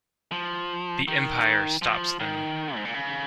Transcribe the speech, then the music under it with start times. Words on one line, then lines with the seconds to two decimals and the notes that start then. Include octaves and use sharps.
The Empire stops them.
0.32 F3
1.08 D#3
1.82 F3
2.20 D#3
2.76 G#2
2.85 A#2
2.94 C#3